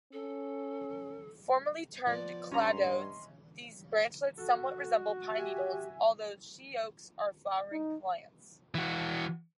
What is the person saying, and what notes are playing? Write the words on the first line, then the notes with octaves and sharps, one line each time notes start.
Formally termed cladodes, these branchlets somewhat resemble pine needles, although sheoaks are flowering plants.
C#4 A4
F3 B3 D5
G2 C#4 A#5 C6
D#5
F#4 A4
G4 E5 G#5
D#4
E3 F#4